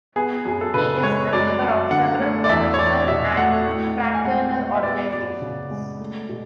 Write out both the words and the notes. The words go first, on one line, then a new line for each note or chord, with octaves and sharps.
He is a member of several professional and fraternal organizations.
B3 G#4
F#2 G#4
A4
C#3 B4
G#3 C#5
F#2 D5
F#2
D3 F#5
A3
D5
E2 E5
C#5
E2 D5
B2 E5
A3 F#5
A2
A2
G#5
G#3 F#5
B3
E5
B3 D5
F#2 D5
C#3
G#3
A3
B2